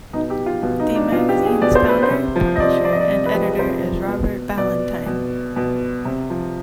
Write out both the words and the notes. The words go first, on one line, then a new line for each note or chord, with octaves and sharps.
The magazine's founder, publisher and editor is Robert Ballantyne.
B2 D#4
G4
F4
B2 F4
D#4
D4
B2 F4
G4
G#4
B2 D5
C5
B4
C5
C3
F3
D#5
C3 D5
F3 D5
D#5
D5
C3
B4
F3 G4
G#4
B4
C3 C5
F3
B2
B2 D5
B2
B2
C3
F3